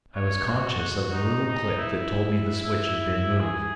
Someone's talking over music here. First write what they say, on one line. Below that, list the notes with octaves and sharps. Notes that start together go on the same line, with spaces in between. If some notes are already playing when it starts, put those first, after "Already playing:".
I was conscious of the little click that told me the switch had been moved.
C#5
F#4
F#4
D#4
D#4
E4
G#4